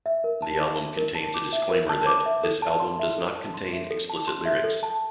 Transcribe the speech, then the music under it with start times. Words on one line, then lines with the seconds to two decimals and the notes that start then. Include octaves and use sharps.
The album contains a disclaimer that 'This album does not contain explicit lyrics.
0.06 E5
0.24 A#4
0.42 A5
0.60 D6
0.79 E5
0.97 A#4
1.15 A5
1.34 D6
1.53 E5
1.71 A#4
1.89 A5
2.07 D6
2.26 E5
2.44 A4
2.62 A5
2.80 C6
2.99 E5
3.18 A4
3.35 A5
3.54 C6
3.72 E5
3.91 A4
4.10 A5
4.27 C6
4.46 E5
4.64 A4
4.83 A5